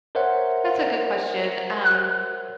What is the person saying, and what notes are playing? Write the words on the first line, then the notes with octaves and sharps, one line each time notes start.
That's a good question, um
A#4 C5 C#5 E5 F#5